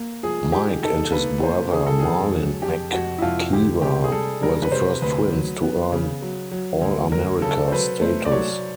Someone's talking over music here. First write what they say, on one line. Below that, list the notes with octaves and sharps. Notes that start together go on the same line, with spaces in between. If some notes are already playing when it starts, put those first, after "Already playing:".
Mike and his brother Marlin McKeever were the first twins to earn All-America status.
Already playing: A#3
F3 G#4
D#4 G4
D#4 A4
A#3 B4
A#3 C5
C#3 G#4
A4
F2 G#4
F#3
F2 G4
F2 F#4
E4
F2 F4
D2 G4
C3 G4
G#4
G3 A4
G3 A#4
B4
C3 C5
D2 B4
F#3
B3
C#3
F#3
F#3
D2
F#3 A#4
C#3 A4
C5
F#3 B4
A3 C5
D5
F#3 C#5